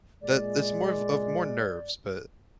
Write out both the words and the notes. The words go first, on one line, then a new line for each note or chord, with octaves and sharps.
that that's more of of more nerves, but
A#2 G#3 D5